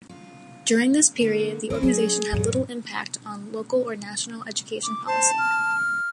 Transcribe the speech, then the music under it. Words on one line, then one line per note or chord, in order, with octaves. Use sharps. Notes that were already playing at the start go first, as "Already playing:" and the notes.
During this period, the organization had little impact on local or national education policy.
F4
D3 A#3 A4
D#3 C4 C#4 E4
F#3 G3 C#4 G#4
E2 G2 A#2 F#3
D6
C5 A5
F6